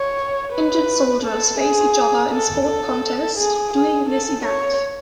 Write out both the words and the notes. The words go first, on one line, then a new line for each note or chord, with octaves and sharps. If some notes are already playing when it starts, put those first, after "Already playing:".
Injured soldiers face each other in sport contest during this event.
Already playing: C#5
B4
A4
G#4
A4
A4
G#4
G#4
A4
C#5